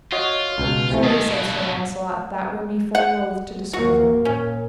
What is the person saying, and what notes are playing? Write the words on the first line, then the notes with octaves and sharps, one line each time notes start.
Truly, said Sir Launcelot, that were me full loath to discover.
F4 F#4 C#5 D#5
C#2 B2
C3 E3 A3
G#2 D#3 D#5 A5
G2 B2
F#5
D#2 A#3 F#4
A#2 C#4